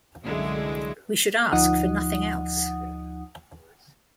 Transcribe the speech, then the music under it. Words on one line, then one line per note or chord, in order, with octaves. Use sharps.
We should ask for nothing else.
C2 F#2 D3 F#3 G#3 E4
D2 F3 D#4 F#5 D#6